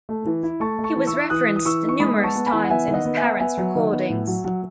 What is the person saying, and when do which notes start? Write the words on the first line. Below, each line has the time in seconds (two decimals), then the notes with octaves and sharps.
He was referenced numerous times in his parents' recordings.
0.09 A3
0.26 E3
0.43 E4
0.60 A3 A5 C#6
0.79 A3
0.84 A5 C#6
0.96 E3
1.07 C#6 E6
1.13 E4
1.30 E3 D#6 F#6
1.48 E3
1.56 D#6
1.65 E3 C#6 E6
1.83 D#4
1.89 C#6
2.00 G#3 B5 D#6
2.18 B3
2.23 A5 C#6
2.35 B3
2.46 G#5 B5
2.53 E3
2.64 F#5
2.70 B3 E5 G#5
2.88 D#3
2.93 D#5 F#5
3.05 B3
3.17 E5 G#5
3.23 B3
3.40 B3 E5 G#5
3.58 F#3
3.75 D#3
3.92 B3
4.09 A2
4.27 F#3
4.44 F#3